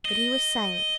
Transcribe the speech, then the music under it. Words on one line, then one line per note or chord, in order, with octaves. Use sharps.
But he was silent.
D#5